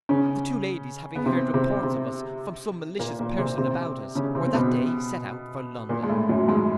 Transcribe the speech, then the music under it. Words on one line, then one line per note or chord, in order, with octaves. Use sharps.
The two ladies having heard reports of us from some malicious person about us, were that day set out for London.
C#3 C#4
B3
C3 C4
C3 C4
C3 C4
A#2 A#3
A#2 A#3
C3 C4
C3 C4
C#3 C#4
C3 C4
C4
B2 B3
A#2 A#3
G#3
A2 A3
F#2 F#3
G#2 G#3